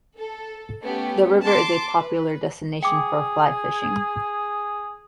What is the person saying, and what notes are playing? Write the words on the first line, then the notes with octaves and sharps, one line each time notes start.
The river is a popular destination for fly fishing.
A4
A3 B3 C#4 G4
A5 C6 D6
B4
G#4 G5 D6